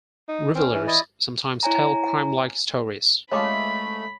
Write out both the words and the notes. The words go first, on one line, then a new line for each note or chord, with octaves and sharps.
Revealers sometimes tell crime-like stories.
D#4
C4 C#4
E3
E4 D5 D#5
E4 C#5 G#5 A#5
G#3 A3 C#4 F4 C#5 B5 C6 D6